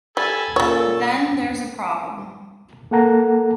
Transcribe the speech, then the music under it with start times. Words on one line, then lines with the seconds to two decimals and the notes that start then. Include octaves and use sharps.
Then there’s a problem...
0.17 G3 A4 G#5 B5
0.56 A#2 C#3 A4 C#5
2.91 A#3 A4 F#5 A#5